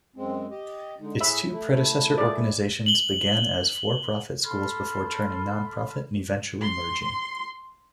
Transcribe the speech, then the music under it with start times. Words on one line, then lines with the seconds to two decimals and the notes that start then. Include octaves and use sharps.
Its two predecessor organizations began as for-profit schools before turning non-profit and eventually merging.
0.16 F#2 G#3 C4
0.51 G4 D#5
1.00 D3 G#3 D#4
1.21 A2 G#4 C#5 E5 B5
1.51 A3 E4
2.18 G#4 D5
2.86 F#7 G7
4.43 A4 B5 C6 F6
6.62 C6